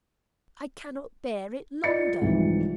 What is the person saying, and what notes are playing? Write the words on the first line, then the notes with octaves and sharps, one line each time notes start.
I cannot bear it longer!
F4 D5 D#5 A6 C#7
C2 G#2 E3 F3